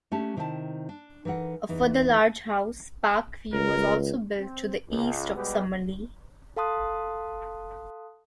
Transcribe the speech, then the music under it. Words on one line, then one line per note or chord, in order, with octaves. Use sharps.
A further large house, Park View was also built to the east of Summerlee.
A3 C#4 D4 G4 A5
C3 D#3 E4 C#5 A5
D4
E3 D#4 A4 A#4 F#5
E2 E3 D#4
C#2 A#4
C4
C#2
B2 G3 G#3 B3 G4 B4
A4 F5 A5 C6 D#6 F#6